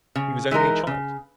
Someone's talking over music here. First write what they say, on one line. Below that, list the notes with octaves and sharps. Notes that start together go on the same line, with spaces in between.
She was only a child.
C#3
E3 G#3 D#4 A#4
C#3